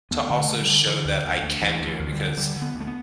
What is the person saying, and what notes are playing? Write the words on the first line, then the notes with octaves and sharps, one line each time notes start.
To also show that I can do it, because
D2 B3
D3
A3
D3
G3
D3
D3 E3
D2
D3
D2
D2
D2 E3
D2
E3
D2
G3
D3
D3 G3
D3
B3
D2
A3
B3